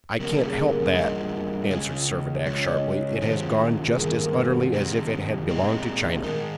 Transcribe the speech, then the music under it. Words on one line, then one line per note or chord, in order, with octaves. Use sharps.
"I can't help that," answered Servadac, sharply; "it has gone just as utterly as if it had belonged to China."
C#3 G3 A#3 C#4 A#4
G#4
A#4
G2 G3 A#3 F4 D#5
C#3 G#3 C#4 F4
C#3 G#3 C#4 F4 C#5
D#5
C#5
C3 D#3 G#3 C#4 F4 C5
G#4
G2 D#3 A#3 A#4
A#4
C5
A#4
G4
C3 D#3 G#3 C4 D#4
A#2 G#3 C4 D#4
D#3 G#3 D#4 A#4